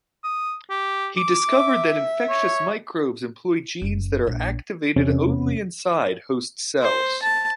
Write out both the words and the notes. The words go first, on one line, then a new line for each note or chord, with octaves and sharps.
He discovered that infectious microbes employ genes that are activated only inside host cells.
D#6
G4
D6
E5
C#5
F#1
A#1 A#3
E2 C3 C#4
C5
A5